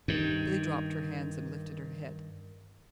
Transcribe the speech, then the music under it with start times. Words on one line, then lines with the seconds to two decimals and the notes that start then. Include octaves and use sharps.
Billy dropped her hands and lifted her head.
0.08 G2 D#3